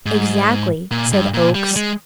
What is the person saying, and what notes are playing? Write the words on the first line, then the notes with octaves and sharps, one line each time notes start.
"Exactly," said Oakes.
G#2
A#2
G2
A#2
G3
G#3